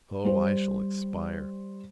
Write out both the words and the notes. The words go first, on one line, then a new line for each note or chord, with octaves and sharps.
O, I shall expire!
G3 C5